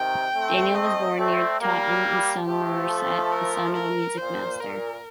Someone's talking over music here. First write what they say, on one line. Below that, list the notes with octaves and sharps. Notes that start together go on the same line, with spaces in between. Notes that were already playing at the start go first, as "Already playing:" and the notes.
Daniel was born near Taunton in Somerset, the son of a music-master.
Already playing: C3 D#3 G5
A3 C4
D#5
A3 C4 D5
G3 A#3 A#4
G4
F3 A3 G4
A4
A#4
A#4
A#2 C5
A#2 A#4